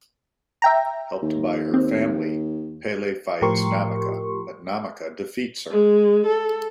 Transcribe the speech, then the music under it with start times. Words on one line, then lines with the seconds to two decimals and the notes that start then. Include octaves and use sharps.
Helped by her family, Pele fights Namaka, but Namaka defeats her.
0.62 E5 G5 A#5
1.22 D#2
1.74 C4
3.42 A2 F3 G4 A#4 C6 C#6
5.71 G#3
6.26 A4